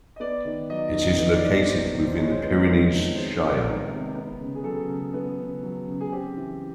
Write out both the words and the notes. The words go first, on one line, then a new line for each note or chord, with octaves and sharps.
It is located within the Pyrenees Shire.
D#5
B3 D5
D#3
F#3 D#5
D#3 D#5
B3 D#5
D5
D#3
D5
F#3 C5
C5
D#3
C5
G#3 C#5
C5
B3
D#3
C3
G#3 C5
B3
D#3 A#4
C3
B3
C#3
G#4
F#3 A4
C#3
B3
C#3
F#3
C#3
G#4
C4 G4
E3